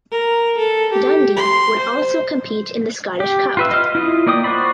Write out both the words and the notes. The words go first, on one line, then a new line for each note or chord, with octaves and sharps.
Dundee would also compete in the Scottish Cup.
A#4
A4
G4
C6
C5
G4
F4 B4 E5
D#5 F5 F6
E4 F4 D#5
A#3 D5 G5 D#6
F#4 C5 D5 B5